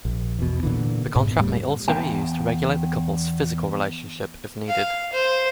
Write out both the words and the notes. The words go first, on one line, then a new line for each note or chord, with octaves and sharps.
The contract may also be used to regulate the couple's physical relationship, if needed.
A#1
E2 B2
A#2 D3 E3
G#2 B2 B3
D#1 A2 G3
E2 F3 B3 F5 G5
F5
C5